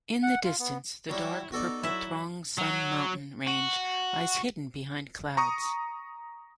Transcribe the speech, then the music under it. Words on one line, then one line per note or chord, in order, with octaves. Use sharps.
In the distance, the dark purple Truong Son Mountain range lies hidden behind clouds.
F#5
F4
B3
F#3 G3 E4 F#4 C#5
B3 D#4 F#4 A4 D5
F#3 E4 E5
F#3
F#4
A#5 C#6 D#6